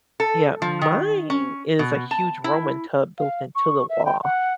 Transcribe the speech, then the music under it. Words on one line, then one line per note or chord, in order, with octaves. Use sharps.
yeah. Mine is a huge Roman tub built into the wall.
A4
F3
D#3
C#4
B2
A5
E4
F5
C#6
E5
G5
F#5